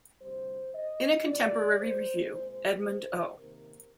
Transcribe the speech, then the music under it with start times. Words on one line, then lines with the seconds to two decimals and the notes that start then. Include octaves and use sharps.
In a contemporary review, Edmund O.
0.21 D2 C3 G3 C5
0.74 D#5
1.26 C3 F3 A#3 D5
1.80 C5
2.32 A#2 G#3 C4 C5
3.38 C3 D#3 A#3 A#4